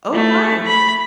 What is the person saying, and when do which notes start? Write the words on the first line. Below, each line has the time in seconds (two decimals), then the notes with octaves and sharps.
Oh, why?
0.13 A3
0.67 B5